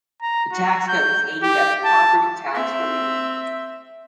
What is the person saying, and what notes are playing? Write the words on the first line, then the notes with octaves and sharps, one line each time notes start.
The tax cut was aimed at property tax relief.
A#5
F#4
G6
G4
A5
C4 E5